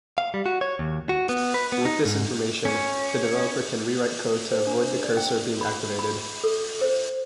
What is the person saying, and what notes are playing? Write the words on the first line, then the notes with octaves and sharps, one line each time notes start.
With this information, the developer can rewrite code to avoid the cursor being activated.
F5
G3
F#4
C#5
D#2
F#4
B3
B4
B3
D#4
G#2
C#4
C5
D4
D5
G5
B5
B5
A4
C5